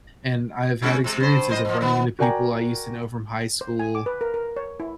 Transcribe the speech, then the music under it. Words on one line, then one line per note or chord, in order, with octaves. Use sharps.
And I've had experiences of running into people I used to know from high school,
G#3 C#4 E4
C3 G#3
G2 C5
F2 C5 D#5
A#2 F3
D#3 B3
F#4 A#4 D5 G5 G#5 A#5
C5
G#5
D6
B4
A#4
A#4
C#5
E4